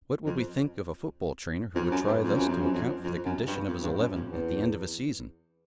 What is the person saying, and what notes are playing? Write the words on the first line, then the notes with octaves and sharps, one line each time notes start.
What would we think of a football trainer who would try thus to account for the condition of his eleven at the end of a season?
F2
F2
F#2
G2
F2
F#2
F2
F#2
F2
F2
F#2
G2
F2
G2
F#2
F2
E2